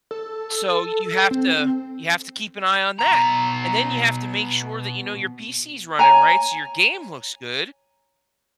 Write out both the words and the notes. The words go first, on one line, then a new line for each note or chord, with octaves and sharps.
so, you have to you have to keep an eye on that. And then you have to make sure that, you know, your PC's running right so your game looks good
A4
C4
B2 A#5
C#5 G#5 A#5